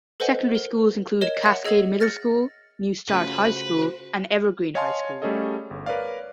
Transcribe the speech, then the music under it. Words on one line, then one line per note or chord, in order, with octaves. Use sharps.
Secondary schools include Cascade Middle School, New Start High School, and Evergreen High School.
A4 B4 C5 D#5 F#5 G#5
A#4
A#4 C#5 D#5 G#6 E7
E5 F#5
G#4 D#5 E6 G#6 C7 F#7
F6 A6 A#6 C#7
C#3 A3 F4 F#4 B4 C5
C#5 D#5 F5 G#5 A5 C6
G3 A3 C#4 G#4 A4 D#5
G1
A#4 B4 C#5 D5 F5